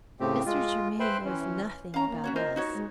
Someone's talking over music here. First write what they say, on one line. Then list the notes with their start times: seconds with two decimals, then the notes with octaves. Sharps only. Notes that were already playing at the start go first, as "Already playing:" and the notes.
Mr. Germaine knows nothing about us.
0.20 A2 C#3 A3 C4 G4
0.46 G#3 F4
1.00 B4 C5 E5 G5 B5 C6
1.25 E3 C#4
1.94 C#4 F5 A#5
2.09 A#3
2.24 C#4 F#4 C#5
2.36 F4 A#4 C5 D#5
2.56 D#4 F#4 C#5
2.74 G#3